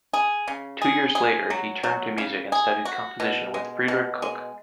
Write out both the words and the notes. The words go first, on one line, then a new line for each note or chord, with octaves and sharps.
Two years later, he turned to music and studied composition with Friedrich Koch.
G#4
C#3
G#4
G#4
F#3
F#3
C#3
G#4
F#4
B2
G#3
B2
G#3